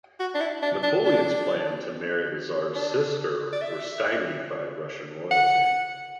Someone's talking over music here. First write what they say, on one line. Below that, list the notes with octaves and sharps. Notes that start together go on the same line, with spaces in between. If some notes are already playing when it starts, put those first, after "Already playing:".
Napoleon's plans to marry the tsar's sister were stymied by Russian royalty.
F#4
D4
E4
D4
D4
D4
D4
D5
E5
F#5